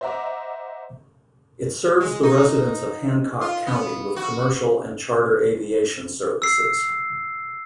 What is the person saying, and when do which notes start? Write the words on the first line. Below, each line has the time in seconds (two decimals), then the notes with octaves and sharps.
It serves the residents of Hancock County with commercial and charter aviation services.
0.01 C5 D#5 E5 F#5 A#5 D6
2.01 G#3
2.23 D#4
3.41 F4
3.67 B3
4.16 F#4
6.42 E6 C7